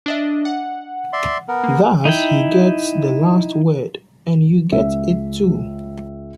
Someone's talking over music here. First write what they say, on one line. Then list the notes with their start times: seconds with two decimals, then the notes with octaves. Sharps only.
Thus he gets the last word; and you get it too.
0.06 D4 D#5 E5
0.45 F#5
1.13 D5 E5 C6
1.48 B3 A#4
1.64 A#3
2.05 D#4 E4 G5
4.72 C#2 E5